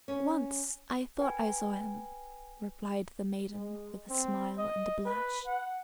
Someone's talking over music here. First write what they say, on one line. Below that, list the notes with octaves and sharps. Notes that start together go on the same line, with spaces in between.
"Once I thought I saw him," replied the maiden, with a smile and a blush.
C#4
B4 G5 G#5
G#3
C4
D#5
B4
F#5